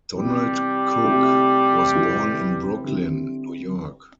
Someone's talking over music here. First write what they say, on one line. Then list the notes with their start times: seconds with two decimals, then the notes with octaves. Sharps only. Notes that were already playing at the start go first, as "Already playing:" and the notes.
Donald Cook was born in Brooklyn, New York.
0.14 C3 E3 G3 C4
1.04 C3 A3 C4 E4
1.95 C3 E3 C4 E4
2.84 D3 G3 C4 E4